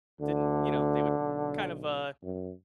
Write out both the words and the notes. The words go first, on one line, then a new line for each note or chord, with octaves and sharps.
didn't, you know, they would kind of, uh,
D2 D3
B1
F#2